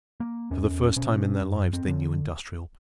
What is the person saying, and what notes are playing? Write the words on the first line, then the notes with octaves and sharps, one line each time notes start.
For the first time in their lives they knew industrial peace.
A#3
E2 C#4
B2 C#4
F#2
C4
D3